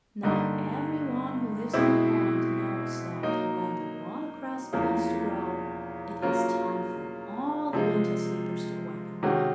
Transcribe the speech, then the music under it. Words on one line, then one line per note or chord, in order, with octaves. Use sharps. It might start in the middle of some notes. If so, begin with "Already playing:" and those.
Now every one who lives in a pond knows that when the watercress begins to grow, it is time for all the winter sleepers to awaken.
G2 D3 G3 A#3 D#4
B2 G#3 C4 E4
F#3 A#3 D#4
E2 C#3 F3 A#3
C#3 F#3 A#3 C#4 F4
C3 F3 G#3
C3 D#3 G#3 C#4 F#4